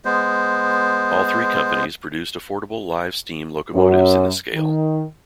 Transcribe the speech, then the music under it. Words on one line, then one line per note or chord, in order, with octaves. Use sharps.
All three companies produced affordable live steam locomotives in this scale.
G#3 B3 C5
F#2
D#3